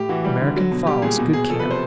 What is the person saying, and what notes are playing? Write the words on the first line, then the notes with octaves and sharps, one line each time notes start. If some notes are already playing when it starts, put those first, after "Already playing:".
American Falls.--Good camp.
Already playing: A2 G4
E3 F#4
G3
D3
F#3
B2
G3 G4
A#2 G#4
B2
B2 G#4
F3 A4
C3 B4
C5